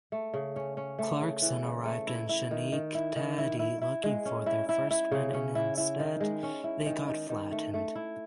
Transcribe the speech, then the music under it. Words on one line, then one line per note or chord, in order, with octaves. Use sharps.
Clarkson arrived in Schenectady looking for their first win and instead they got flattened.
A3
C#3
C#4
C#4
A3
C#3
E3
C#3
A3
E4
E4
D#3
D#3
E4
D#3
E4
E4
E4
G#3
C#4
E4
E4
E4
C#3
C#4
E4
E4
D#3
G#3
C#4
E4
D#3
D#3
D#3
A3
A3
E4